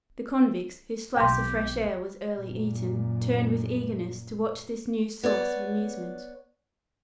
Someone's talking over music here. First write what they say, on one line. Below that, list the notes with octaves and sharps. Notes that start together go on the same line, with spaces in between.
The convicts--whose slice of fresh air was nearly eaten--turned with eagerness to watch this new source of amusement.
B1 G4 G5 C6
F#2 A#2
B3 C#5 D5